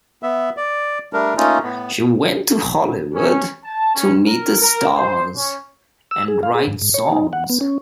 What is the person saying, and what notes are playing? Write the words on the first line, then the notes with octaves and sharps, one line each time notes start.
She went to Hollywood to meet the stars, and write songs.
B3 E5
D5
G3 A3 D4 A#4
A3 A#3 C#4 D#4 F4
A2 B3
C#4
A5
C#4
A#4
A#4
C5
C#4
E6
G#4
F5
G#4
G#2
G#2
C#5
D#4
F#5
B3
C#4